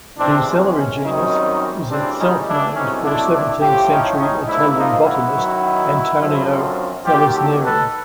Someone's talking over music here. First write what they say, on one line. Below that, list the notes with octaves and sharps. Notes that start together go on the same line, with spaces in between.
The celery genus is itself named for seventeenth century Italian botanist Antonio Vallisneri.
E2 C3 D#3 G#3 C4 D4
C#4
C#4
F#2 D#3 G3 C4 C#4 D#4
D2 C#3 E3 G3 C4 D4
C#4 D#4
D4 E4
C2 B2 F#3 A3 C4 C#4 D#4
D4 E4
D4 E4
A2 F3 A3 F4 G4
C#4 D#4
C#4 D#4
G#2 F3 A#3 D4 E4
D#4 F4
E4 F#4
F#2 D#3 F#3 B3
F#2 D3 F3 A3 C4
D#2 D#3 F#3 F4 G4
G4 A4
A4 B4